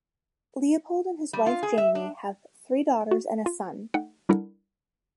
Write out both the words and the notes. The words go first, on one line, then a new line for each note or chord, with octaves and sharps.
Leopold and his wife Jamie have three daughters and a son.
G3
F4
G#4
E5
D4
F#4
F4
A3 D#4 F#5 G5
G3 D4 E4 A4 A#4 F#5